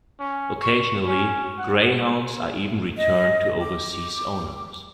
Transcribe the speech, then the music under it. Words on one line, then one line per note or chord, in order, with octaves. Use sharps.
Occasionally greyhounds are even returned to overseas owners.
C#4
C#6
C#4
F#5
D#5
D6